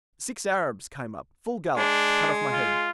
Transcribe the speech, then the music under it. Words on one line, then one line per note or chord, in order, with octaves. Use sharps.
Six Arabs came up, full gallop, to cut off my head.
G#3 D4
F4